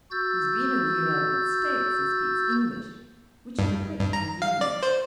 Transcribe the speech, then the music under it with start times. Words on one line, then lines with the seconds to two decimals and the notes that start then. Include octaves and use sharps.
He has been in the United States and speaks English, which is a great convenience.'
0.11 F#4 E6 G6 A6
3.59 G2
3.99 G2
4.13 A#5
4.42 F5
4.61 D5
4.83 C5